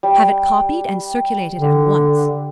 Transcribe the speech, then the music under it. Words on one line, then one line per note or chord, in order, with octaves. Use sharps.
Have it copied and circulate it at once.
G3
D3